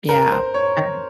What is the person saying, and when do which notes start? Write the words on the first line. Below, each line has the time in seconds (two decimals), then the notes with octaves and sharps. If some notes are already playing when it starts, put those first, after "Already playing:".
Yeah. I
0.09 A#4
0.31 C5
0.54 C#5